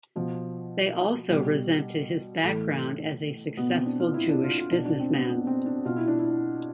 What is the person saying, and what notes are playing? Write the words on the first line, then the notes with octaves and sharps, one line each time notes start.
They also resented his background as a successful Jewish businessman.
B2 F3
B2 G3
A2 E3 A3
B2 B3
C4
D4
F4
E4
D4
F4
F4
B2 D4
D4
C4
B3
B3
C4
D4
B2 F4
E4
D4
E4